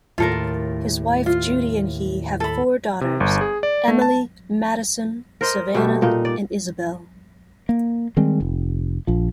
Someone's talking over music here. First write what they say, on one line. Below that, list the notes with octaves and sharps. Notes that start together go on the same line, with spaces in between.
His wife, Judy, and he have four daughters: Emily, Madison, Savanna and Isabelle.
D#2 A2 F4 A4 A#4
F4
A4 B5
C3
G1
G#4
D5
A3
A5
A#4 C5 D#5
B2 G3 A3 G4
A#2 D#4
D5
A#3
D#3 G3 G#3 C4
F1
A#1 F3